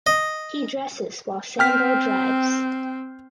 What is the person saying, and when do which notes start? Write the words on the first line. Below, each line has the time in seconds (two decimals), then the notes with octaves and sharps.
He dresses while Sambo drives.
0.07 D#5
1.59 C4 G5 F6 B6